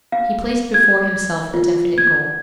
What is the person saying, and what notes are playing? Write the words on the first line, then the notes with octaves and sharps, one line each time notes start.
He placed before himself a definite goal.
F5
G#6
F4
G#6